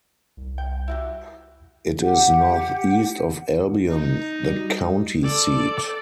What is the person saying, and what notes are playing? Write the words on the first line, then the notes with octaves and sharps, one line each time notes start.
It is northeast of Albion, the county seat.
C2
G5
E4 F#4 G4
G4 F#5
D#4
G3 F#4
A4 D5